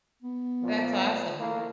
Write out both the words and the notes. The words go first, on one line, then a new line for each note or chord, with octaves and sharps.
That's awesome.
B3
A#2 F3
A3
A3 A#3 E4